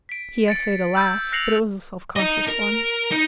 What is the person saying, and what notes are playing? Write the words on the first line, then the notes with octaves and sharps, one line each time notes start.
He essayed a laugh, but it was a self-conscious one.
B6 D7
A6 C#7 D7
E6 G6 A6
F#6 A#6 C7 C#7 F7 F#7
D#4 D#5
A#4
D#4